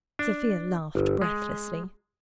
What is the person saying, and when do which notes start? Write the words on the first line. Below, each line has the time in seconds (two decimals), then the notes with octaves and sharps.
Sofia laughed breathlessly.
0.19 D4
0.95 G1
1.22 G#3